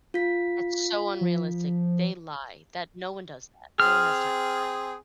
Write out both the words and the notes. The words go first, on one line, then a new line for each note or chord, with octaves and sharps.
That's so unrealistic. They lie that no one does that. No one has time for that.
F4 B6
F3
C4 G#4 F6